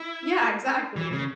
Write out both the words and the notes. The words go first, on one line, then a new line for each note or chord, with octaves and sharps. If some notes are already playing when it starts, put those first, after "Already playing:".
Yeah, exactly.
Already playing: E4
E3
C#3